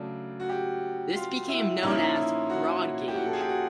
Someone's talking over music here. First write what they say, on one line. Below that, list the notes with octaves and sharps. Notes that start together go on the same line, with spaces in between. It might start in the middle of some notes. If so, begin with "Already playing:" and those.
This became known as "broad gauge".
Already playing: C#3 F#3 A3 D4
F#4
G4
F4
E4
A#2 F3 A#3 C#4 D#4
E4
D#4
E4
F#4
G4
F#4
A4
G#4
G4
F#4